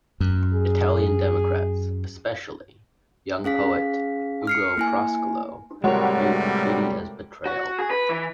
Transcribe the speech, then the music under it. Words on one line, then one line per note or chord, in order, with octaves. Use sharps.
Italian democrats, especially young poet Ugo Foscolo, viewed the treaty as a betrayal.
F#2
G#4
C#4 G#4 F5 B6
F6 C7 C#7
A#3 E4 G#5
A2 C3 G3 G#3 F#4 A#4 C#5 C6
F#4
G#4
B4
E3